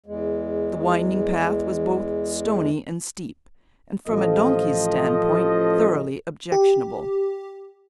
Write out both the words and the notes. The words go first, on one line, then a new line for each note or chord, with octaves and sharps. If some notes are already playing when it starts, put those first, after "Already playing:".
The winding path was both stony and steep, and, from a donkey's standpoint, thoroughly objectionable.
E2 G#3
A1 F3 A4 D#5
G4